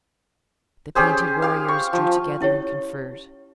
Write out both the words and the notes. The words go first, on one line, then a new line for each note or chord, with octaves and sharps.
The painted warriors drew together and conferred.
C#4 G4 G#4 C5
G4 F5
C#6
F3
C#4 E4 G4 C#5